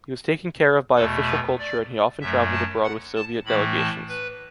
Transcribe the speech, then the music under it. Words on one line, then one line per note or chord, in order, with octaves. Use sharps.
He was taken care of by official culture and he often travelled abroad with Soviet delegations.
E2 B2 A3 A4
B4
D5
F#2 F#3 A3 E5
A5
F#5
A5
A2 E3 A3 B5
A5
B4